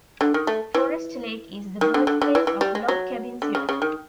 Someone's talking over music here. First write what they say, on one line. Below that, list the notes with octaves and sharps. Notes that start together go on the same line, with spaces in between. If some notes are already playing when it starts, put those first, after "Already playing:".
Forest Lake is the birthplace of Log Cabin Syrup.
D3
D#3
A3
E3
D#3
D3
D3
D3
E3
E3
G3
G#3
F#3
D3
C#3
C#3
D#3